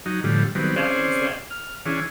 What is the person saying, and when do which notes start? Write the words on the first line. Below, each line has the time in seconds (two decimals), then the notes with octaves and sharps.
but that means that
0.06 F#3 D#4
0.24 A2 D3 F3 G3
0.55 D#3 F#3 G3 B3 C4
0.76 C4 C#4 G#4 C5 D5
1.51 F6
1.86 E3 C#4 D4 G#4